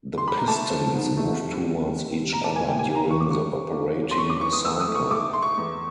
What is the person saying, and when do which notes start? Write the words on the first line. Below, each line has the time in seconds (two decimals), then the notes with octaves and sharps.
The pistons moved towards each other during the operating cycle.
0.18 C6
0.28 B5
0.37 A#5
0.47 A3 A5
0.70 F3
0.94 G#2
1.17 A3
1.40 C3
1.64 C3
1.86 G3
2.10 C3
2.33 A#2 A#5
2.44 A5
2.56 A#3 G#5
2.68 G5
2.79 G3 G#5
2.95 A#5
3.02 A#3
3.10 C#6
3.20 F#2 D6
3.31 C#6
3.49 G3
3.72 A#3
3.95 F#2
4.11 C6
4.18 F2 C#6
4.30 D6
4.41 E3 C#6
4.53 D#6
4.65 A3 E6
4.80 D#6
4.88 A3
4.95 C#6
5.11 A3 D6
5.33 A3 C6
5.42 C#6
5.57 E2